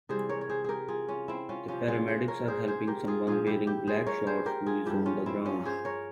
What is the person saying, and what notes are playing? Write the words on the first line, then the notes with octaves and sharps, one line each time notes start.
The Paramedics are helping someone wearing black shorts who is on the ground.
C3 E3 G3 G#4 C5
A#4 C#5
C#5
G#4 C5
G4 G#4 A#4
F4 G#4
C#4 F4
C4 E4
C#4 F4
C3 F3 C#4 F4
F4 G#4
G#4 C5
A#4 C#5
G#4 C5
G#4 C5
G4 A#4
F4 G#4
A#2 F3 F4 G#4
E4 G4
E4 G4
G#4 C5
A#4 C#5
G#4 C5
G4 A#4
F4 G#4
G2 F3 E4 G4
C#4 F4
C4 E4
C#4 F4
G#4 C5
A#4 C#5